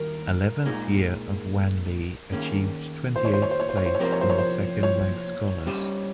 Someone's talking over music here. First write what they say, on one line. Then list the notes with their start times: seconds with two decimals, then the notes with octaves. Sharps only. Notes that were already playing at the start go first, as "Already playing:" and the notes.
Eleventh year of Wanli, achieved twenty-eighth place in the second rank scholars.
Already playing: D#2 D#3 G3 A#4
0.65 A#2 G#3 D#4 G#4
2.32 D#3 A#3 C#4 G#4
3.16 C5
3.25 C#5
3.33 C5
3.42 C#5
3.51 C5
3.60 C#5
3.69 C5
3.77 C#5
3.86 C5
3.95 C#5
3.99 C3 F3 C4 G4 A#4 C5
4.12 C#5
4.21 C5
4.30 C#5
4.38 C5
4.83 C#5
5.66 G3 C#4 G4 C5 D#5